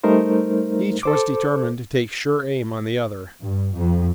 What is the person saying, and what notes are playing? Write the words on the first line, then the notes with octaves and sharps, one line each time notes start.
Each was determined to take sure aim on the other.
G3 A3 D#4 A#4 C5
A4 C5 D6
G2
F2